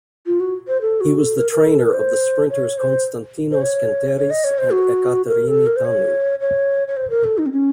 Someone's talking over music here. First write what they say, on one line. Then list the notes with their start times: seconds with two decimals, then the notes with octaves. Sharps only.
He was the trainer of the sprinters Konstantinos Kenteris and Ekaterini Thanou.
0.26 F4
0.40 F#4
0.68 C5
0.81 A4
1.01 F#4
1.19 A4
1.37 A#4
1.52 A#4
1.65 A4
1.80 A#4
1.93 C5
2.50 C#5
2.78 C5
3.51 C5
3.61 C#5
4.17 C#5
4.30 D#5
4.44 C#5
4.58 C5
4.72 F#4
5.28 A#4
5.48 A4
5.66 A#4
5.76 C5
5.85 C#5
6.41 C#5
6.88 C#5
6.97 C5
7.10 A#4
7.24 A4
7.38 D#4
7.46 C4
7.52 C#4